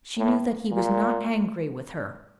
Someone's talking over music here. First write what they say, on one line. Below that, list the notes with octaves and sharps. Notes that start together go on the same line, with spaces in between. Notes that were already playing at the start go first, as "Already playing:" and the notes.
She knew that he was not angry with her.
A2
A#2